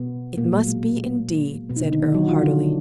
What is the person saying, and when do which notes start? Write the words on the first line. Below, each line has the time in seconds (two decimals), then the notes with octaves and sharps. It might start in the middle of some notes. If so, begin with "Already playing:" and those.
"It must be, indeed," said Earle, heartily.
Already playing: B2 B3
0.37 A#2 A#3
0.52 F#3
0.67 G#3
1.69 B2 B3
1.76 D#4
1.81 D3 D4
1.92 D#3 D#4
2.03 D#3 D#4
2.14 F#3 F#4
2.28 F3 F4
2.43 D3 D4